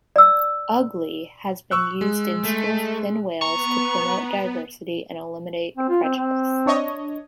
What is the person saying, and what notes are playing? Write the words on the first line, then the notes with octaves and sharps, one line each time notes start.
"Ugly" has been used in schools within Wales to promote diversity and eliminate prejudice.
D5 E6
C#6 E6 F#6
G#3
A3
B3 A#5 C#6
C4
F4
C4
C4
D4 C#5 D#5